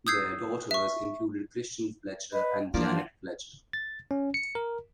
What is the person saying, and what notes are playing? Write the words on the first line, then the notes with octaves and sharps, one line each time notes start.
Their daughters included Christian Fletcher and Janet Fletcher.
D#6 E6 G6 G#6 C7
E5 C#6
B4 D#5
E3 F3 A#3 D4 F4 D5
A6
C#4
C#7
A#4